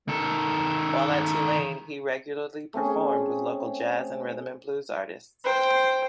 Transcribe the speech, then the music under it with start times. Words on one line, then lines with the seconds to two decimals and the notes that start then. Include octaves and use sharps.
While at Tulane, he regularly performed with local jazz and rhythm and blues artists.
0.09 D#3 A4
2.74 A3 C4 C#4 G#4
5.44 C5 G5